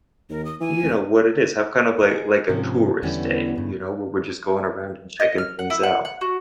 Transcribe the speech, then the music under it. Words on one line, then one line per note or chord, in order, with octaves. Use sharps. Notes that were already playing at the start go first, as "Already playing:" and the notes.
you know, what it is." Have kind of like like a tourist day, you know, where we're just going around and checking things out,
D#2 A#4
D#6
E3 G#5
F1
G#4 D#5
G#2 C3 F3 C#4 C5
E2 D3 E3 G3 B3 C#4
G2 C#3
D#5
F6
F#5
E4
F#5
F#5
F#4